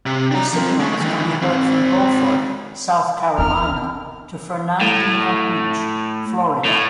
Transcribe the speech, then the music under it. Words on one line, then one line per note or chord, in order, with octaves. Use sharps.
Their signals can be heard from Beaufort, South Carolina to Fernandina Beach, Florida.
C3
D4 A#5
F3 C4
G#3 A3
D#3 E3
G#2 C4
B3 E4 A#4 F6
A2
A2